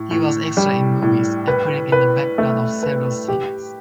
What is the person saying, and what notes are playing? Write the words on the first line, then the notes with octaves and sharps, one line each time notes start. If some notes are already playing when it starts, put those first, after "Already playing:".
He was extra in movies, appearing in the background of several scenes.
Already playing: A2
A2
G3
A2
B4
B4
A3
B4
G4